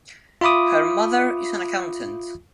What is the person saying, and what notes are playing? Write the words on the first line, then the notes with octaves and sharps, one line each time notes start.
Her mother is an accountant.
F4 E5 B5 D6 D#6